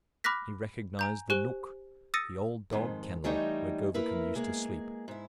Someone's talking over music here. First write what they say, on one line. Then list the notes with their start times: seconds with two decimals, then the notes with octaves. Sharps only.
He recognized the nook, the old dog kennel, where Govicum used to sleep.
0.24 B5 D6 F6 F#6 A#6 B6
0.99 G#5 A#5 G6
1.30 G4 C5 G#5 F#6 G7
2.14 D#6 E6 A6 A#6 C#7 D#7
2.71 F2 G#2 D#3
3.24 E3 G3 A3 D#4 C#5 D#5
3.94 A#3 E4 A#4 B4
4.35 G#3 A#3 G#4
5.08 G#2 E4